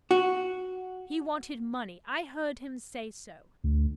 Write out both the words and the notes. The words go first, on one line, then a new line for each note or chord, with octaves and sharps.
He wanted money; I heard him say so.
F#4
D2